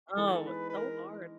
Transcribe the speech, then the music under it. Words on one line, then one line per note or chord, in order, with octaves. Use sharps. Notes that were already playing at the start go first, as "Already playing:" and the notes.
Oh, so hard.
E3 G#3 B3 D#4 A4
B4
B4
A#4